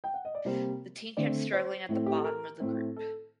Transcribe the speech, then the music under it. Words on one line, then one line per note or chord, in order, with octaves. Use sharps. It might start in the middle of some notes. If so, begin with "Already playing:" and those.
The team kept struggling at the bottom of the group.
G5
F#5
D#5
D5
C3 G3 A#3 C5
D3 A3 C4 D5
C5
A2 A3 C4
G4
A4
A#4
A2 A3 C4
A4